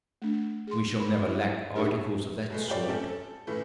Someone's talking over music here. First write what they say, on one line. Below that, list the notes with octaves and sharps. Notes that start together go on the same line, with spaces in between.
"We shall never lack articles of that sort."
A3 D4
G#4 C6
A#4 B5
E4 E5
D4 D#4 G4 G#4 A#4
B2 G#3 A3
F4 G4 C#5 D5 G5
A3 C4 C#4 A4 D5
A4
A2 C#3 E3 A3